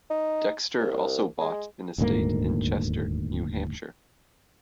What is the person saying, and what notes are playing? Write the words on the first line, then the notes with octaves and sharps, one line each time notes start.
Dexter also bought an estate in Chester, New Hampshire.
D#4
C2
G#3
D#1 D2 G#2 A#3